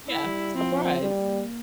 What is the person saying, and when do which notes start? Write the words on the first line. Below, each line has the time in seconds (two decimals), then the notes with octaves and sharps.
Yeah, surprise.
0.09 E4
0.24 G3
0.55 F3 C4
0.86 C4
1.01 G3
1.17 A#3